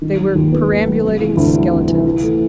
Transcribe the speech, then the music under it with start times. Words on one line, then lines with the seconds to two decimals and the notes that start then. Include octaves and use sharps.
They were perambulating skeletons.
0.02 D#3
0.18 F#3
0.35 D#2
0.53 B3
0.69 D#3
0.86 F#3
1.03 C3
1.20 E3
1.37 D2
1.54 G3
1.71 C3
1.88 E3
2.05 E3
2.22 A3